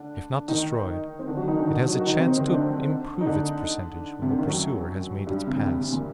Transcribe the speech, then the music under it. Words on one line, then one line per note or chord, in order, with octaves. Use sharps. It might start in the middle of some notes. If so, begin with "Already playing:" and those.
"If not destroyed, it has a chance to improve its percentage when the pursuer has made its pass."
Already playing: D3 D4
D#3 D#4
C4
D3 D4
F#3 F#4
D#3 D#4
D3 D4
D#3 D#4
F#3 F#4
F#4
D#3 D#4
C3 C4
C3 C4
C3 C4
D3 D4
D#4
D3 D4
C3
D3
D#3
F#2 F#3
G2 G3
C3
A#2
C3
C3
A#2